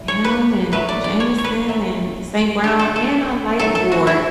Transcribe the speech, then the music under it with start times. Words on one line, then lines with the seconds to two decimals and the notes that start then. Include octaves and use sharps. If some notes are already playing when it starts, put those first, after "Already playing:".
him and Jameson and St. Brown, and I like Ward.
Already playing: A2 G3
0.08 C#5
0.24 B4
0.72 A2 F#3 A3 B4
0.89 D5
1.04 D5
1.20 C#5
1.38 C#5
1.44 B4
1.68 C#3 F#3 A3
2.63 D3 A3 G4
2.79 A4
2.96 A4
3.59 A2 F#3 A3 A4
3.75 A4
3.92 F#4
4.07 E4